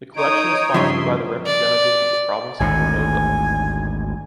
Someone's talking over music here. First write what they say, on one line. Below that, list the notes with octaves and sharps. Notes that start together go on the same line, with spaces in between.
The collection is sponsored by the Representatives of the Province of Córdoba.
D#4 C#5 D#6 D7
G2 C#3 F3 E5 C6
D5
G#1 D2 A2 G#5